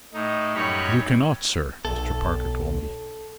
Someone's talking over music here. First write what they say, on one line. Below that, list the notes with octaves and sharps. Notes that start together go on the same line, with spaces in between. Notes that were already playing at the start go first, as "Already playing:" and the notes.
"You cannot, sir," Mr. Parker told me.
A2 D#4
F#2 G3 D#4 C#5 B5
B1 A4